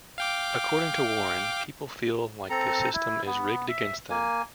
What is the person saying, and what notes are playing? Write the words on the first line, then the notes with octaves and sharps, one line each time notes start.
According to Warren, People feel like the system is rigged against them.
F5 G5 D6
C4 A4 A#5
E4
B3
E5
A#3 G#5